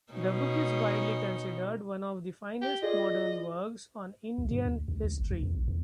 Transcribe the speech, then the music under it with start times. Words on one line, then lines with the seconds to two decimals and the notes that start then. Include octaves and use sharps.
The book is widely considered one of the finest modern works on Indian history.
0.13 B2 C#4 D#4
2.62 G4
2.82 F4 G#4 D5 D#5
4.38 C2
4.51 G2
4.65 D2
4.88 C#2
5.03 C#2
5.18 G1
5.31 C#2
5.43 E2
5.55 A#1
5.68 E2